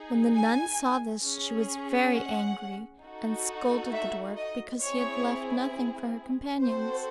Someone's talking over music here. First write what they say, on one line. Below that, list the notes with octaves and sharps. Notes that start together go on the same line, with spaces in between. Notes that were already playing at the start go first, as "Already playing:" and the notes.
When the nun saw this she was very angry, and scolded the dwarf because he had left nothing for her companions.
Already playing: D#4 G#4
G#5
C#4 G#4
F#5
D#4 F#4 A4
E5
D#5
C4 E4 G#4 C#5
C4 F#4 A4 C5